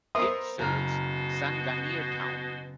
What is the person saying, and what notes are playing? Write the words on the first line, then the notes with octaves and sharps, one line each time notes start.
It serves Sanganer town.
B3 A#4 C5 E5 C6 D#6
F#1 B2 A#5 F6